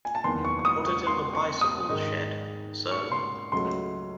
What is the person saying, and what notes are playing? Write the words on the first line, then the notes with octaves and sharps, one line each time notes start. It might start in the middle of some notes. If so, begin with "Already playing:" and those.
Put it in the bicycle shed, sir.
G#5
A5
F#1 E2 D#3 C6
C#6
C#6
D#6
C#6
C6
C#6
D#6
G#2 D#3 G#3 D#4
C#6
C6
C#2 C#3 F#3 A3 C6